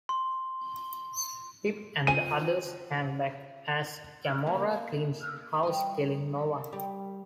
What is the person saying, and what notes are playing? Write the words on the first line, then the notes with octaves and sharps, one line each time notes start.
Pip and the others hang back as Gamora cleans house, killing no one.
C6
C4 F4 G#5 D#7
A#3 B3
G3 D#5
G3